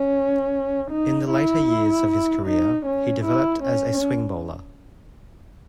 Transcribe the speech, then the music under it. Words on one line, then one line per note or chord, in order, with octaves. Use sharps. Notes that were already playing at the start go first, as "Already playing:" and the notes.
In the later years of his career, he developed as a swing bowler.
Already playing: C#4
D#4
E4
D#4
C#4
E4
C#4